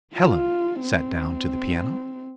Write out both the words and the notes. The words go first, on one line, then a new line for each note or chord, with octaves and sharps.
Helen sat down to the piano.
F4
C4